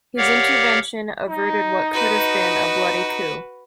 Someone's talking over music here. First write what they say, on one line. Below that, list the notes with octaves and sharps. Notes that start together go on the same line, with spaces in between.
His intervention averted what could have been a bloody coup.
G4 A#4 C#5 D5 F5 F#5
D#4
F#4 B4